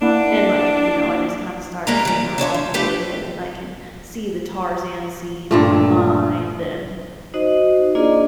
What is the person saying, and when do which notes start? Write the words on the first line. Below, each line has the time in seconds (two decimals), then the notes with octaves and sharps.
and, like, you know, I just kinda start singing along to it and I can see the Tarzan scene in my mind and
0.02 A#3 D4 E4 F#5
1.87 G3 G#3 A#3 A#4 B4 A#5
2.05 E3 G3
2.38 D4 C#5 D#5 E5
2.54 F3
2.74 G2 A3 G4 A4 B4 G5
5.51 G2 A#2 A3
7.34 D#4 F#4 C5 D#5
7.95 A#3 D4 F4 G#4 D5 D#5